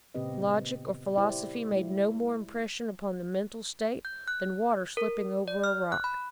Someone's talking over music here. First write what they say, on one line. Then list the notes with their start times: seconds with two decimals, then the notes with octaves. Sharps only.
Logic or philosophy made no more impression upon the mental state than water slipping over a rock.
0.15 A#2 C#3 C4 G4 B4 D#5
0.31 B3 C4
1.18 E4 G4 C5 D5
1.72 G#3 E4
4.05 G6
4.28 F#6
4.97 A#4
5.48 D5
5.64 F6
5.92 F#6
6.04 B5